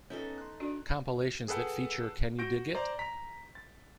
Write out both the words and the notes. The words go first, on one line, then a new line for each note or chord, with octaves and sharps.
Compilations that feature Can You Dig It?
B3 C#4 D#4 A4 E5 G6
C6 F#6
D4 F#4 D5
G#4 A4 B4 F#5 G5
F#4 G6 A#6 D7
C5 D5 A#5 D6
A#5 B6
A6